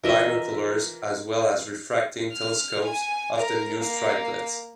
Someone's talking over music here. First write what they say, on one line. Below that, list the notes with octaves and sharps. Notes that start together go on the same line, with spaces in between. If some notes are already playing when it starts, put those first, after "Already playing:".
Binoculars as well as refracting telescopes often use triplets.
E3 F4 A#4 D#5 E5
F6
G#5
A#4
A#3